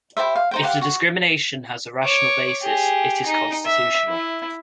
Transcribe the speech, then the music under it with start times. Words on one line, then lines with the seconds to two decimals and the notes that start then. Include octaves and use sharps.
If the discrimination has a rational basis, it is constitutional.
0.17 E4 G4 C5 E5
0.35 F5
0.51 D#4 C5 G5
0.63 G4 F5 F#5
0.81 F#4
2.03 C#5 D6
2.62 G4 G#4
3.26 D#4
3.65 E5
4.08 E4